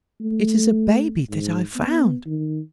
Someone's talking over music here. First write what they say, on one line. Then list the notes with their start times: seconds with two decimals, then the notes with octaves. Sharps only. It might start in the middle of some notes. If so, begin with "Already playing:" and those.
"It is a baby that I found."
0.21 A3
1.30 G#2
1.76 B3
2.26 D#3